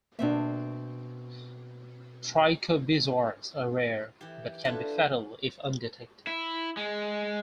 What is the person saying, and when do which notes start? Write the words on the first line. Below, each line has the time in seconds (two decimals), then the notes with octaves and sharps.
Trichobezoars are rare, but can be fatal if undetected.
0.19 B2 A#3 C4 D4 E5
4.21 E3 G4
4.65 D4 E4 F4 G4 A4 B4
6.27 E4
6.77 G#3